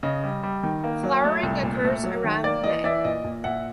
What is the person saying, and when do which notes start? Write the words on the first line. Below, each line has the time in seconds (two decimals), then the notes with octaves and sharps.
Flowering occurs around May.
0.03 C#3 D#5
0.23 G3
0.43 G3
0.63 D#3
0.84 A#3
1.03 F#3
1.24 A3
1.43 C2
1.63 A#2
1.84 A3
2.04 F#3
2.24 D#3
2.44 A#3 D5
2.64 E3 D#5
2.84 E3 D5 E5
3.04 A#2 D#5
3.24 A#2
3.44 A#2 E5 F#5